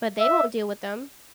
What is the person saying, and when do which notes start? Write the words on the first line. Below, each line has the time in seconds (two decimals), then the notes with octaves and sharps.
But they won't deal with them.
0.20 E5